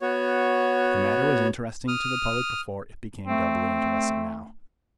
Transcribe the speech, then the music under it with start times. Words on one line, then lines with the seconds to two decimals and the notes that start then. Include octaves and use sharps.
If the matter was interesting to the public before, it became doubly interesting now.
0.01 B3 F#4 C#5
1.88 D#6 F6
3.27 A3 C4